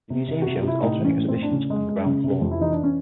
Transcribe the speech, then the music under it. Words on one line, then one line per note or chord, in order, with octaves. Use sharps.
The museum shows altering exhibitions in the ground floor.
C3
C3
C3 F#4
F4
C3 E4
A2 D#4
E3
C#4
A2
C4
A2
D4
C#3 C#4
G#3
G#3
C#3
C3
F2
E4
E3 D#4
D4
C#4